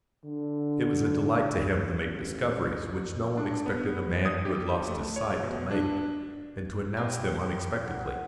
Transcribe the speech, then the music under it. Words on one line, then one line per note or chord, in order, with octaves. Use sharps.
It was a delight to him to make discoveries which no one expected a man who had lost his sight to make, and to announce them unexpectedly.
D3
A1
D4
B3
D#6
G4
A3
C#5
B2
D4
A#3 C4 G4 B4
A#4
F#5